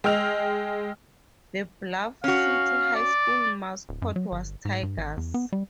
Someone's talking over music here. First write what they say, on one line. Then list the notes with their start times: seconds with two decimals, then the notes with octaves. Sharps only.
The Bluff City High School mascot was Tigers.
0.04 G#3 G5 E6 F6 F7
2.24 C#4 F#4 F5
2.95 D5
3.89 D1
4.02 F#2
4.16 F#3
4.32 G1
4.65 G#2
4.83 G2
4.98 G#1
5.17 E2
5.34 B3
5.53 G3